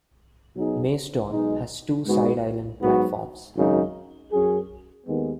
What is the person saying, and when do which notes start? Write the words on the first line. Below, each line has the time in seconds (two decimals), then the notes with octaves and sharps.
Macedon has two side island platforms.
0.56 B1 B2 F#3 D#4 G#4
1.31 B1 B2 G#3 D#4
2.06 G#2 G#3 B3 F#4
2.81 G#2 F#3 B3 F#4
3.56 G#1 F#2 C#3 F#3 D#4
4.31 F#2 F#3 C#4 G#4
5.06 D#2 D#3 G#3 B3